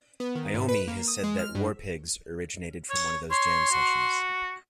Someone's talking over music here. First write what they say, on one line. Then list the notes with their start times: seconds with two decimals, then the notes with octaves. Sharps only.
Iommi has said that "War Pigs" originated from one of those jam sessions.
0.20 B3
0.35 D#3
0.54 G#2
0.69 B4
0.88 A#3
1.08 D#6
1.24 G#3
1.39 F6
1.55 G2
2.89 C#5
3.30 C#5 C6
3.71 F#4